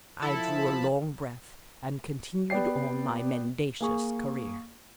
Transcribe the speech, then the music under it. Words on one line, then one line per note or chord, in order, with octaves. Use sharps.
I drew a long breath and continued on my mendacious career.
F3 E4 A4 A5 B5
B3 G4 D5 G5 C7
A#3 G#4 C#6